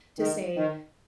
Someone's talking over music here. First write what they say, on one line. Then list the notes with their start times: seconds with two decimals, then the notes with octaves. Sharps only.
to say,
0.18 D#3
0.55 D#3